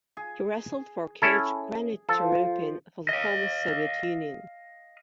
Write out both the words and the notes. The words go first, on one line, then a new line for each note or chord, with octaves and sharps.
He wrestled for coach Granit Taropin for the former Soviet Union.
G#4
C#4 E4 A4
F3 A4
D#5 F5